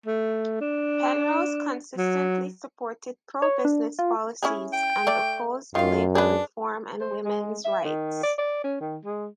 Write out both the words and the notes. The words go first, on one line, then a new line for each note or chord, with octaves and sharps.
Penrose consistently supported "pro-business" policies, and opposed labor reform and women's rights.
A3
D4
F#3
C#5
D4
F4
C#4 E4 G#4
G5
A3 D5
F#2 D#3 F4 F5
D4 G#4 B4
C5
G#3
E5
D#3
D5
D5
C#4
D#3
G#3